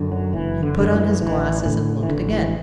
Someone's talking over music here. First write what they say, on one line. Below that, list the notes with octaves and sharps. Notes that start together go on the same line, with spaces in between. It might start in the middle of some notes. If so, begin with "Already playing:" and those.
He put on his glasses and looked again.
Already playing: F#2 D3
F#3
F#1 E3
D3
F#2 D3
E3
A1 E3
E3
A2 D3
E3
A1 D3
E3